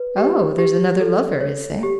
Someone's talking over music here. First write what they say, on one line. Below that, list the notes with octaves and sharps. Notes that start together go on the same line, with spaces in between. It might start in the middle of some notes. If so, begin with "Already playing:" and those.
"Oh, there's another lover, is there?"
Already playing: B4
G4
G4
A4
C#5
G4